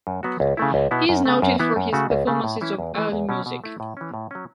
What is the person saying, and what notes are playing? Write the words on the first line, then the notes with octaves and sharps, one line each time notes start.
He is noted for his performances of early music.
F#2
F#3 B3 F#4
C#2
C#3 A3 E4
C#2
B2 B3 E4
F#2
C#3 A3
F#2
E3 B3 E4
F#2
C#3 A3 F#4
C#2
C#3 A3
A2
E3 C#4 E4
E2
E3 A3
E2
B2 F#3 C#4
B2
A3 E4
A2
E3 C#4
A2
F#3 C#4